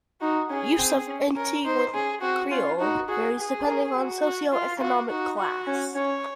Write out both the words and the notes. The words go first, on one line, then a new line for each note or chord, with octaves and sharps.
Use of Antiguan Creole varies depending on socio-economic class.
D#4 F#4
C#4 G#4
C4
C#4
C#4 A#4
D#4 C5
C#4 G#4
C4 F#4
C#4 F4
D#4 F#4
F#4 G#4
G#4
A#4
F#4
F#4
F4
F4 F#4
D#4 F#4
F#4
C#4
C#4 C#5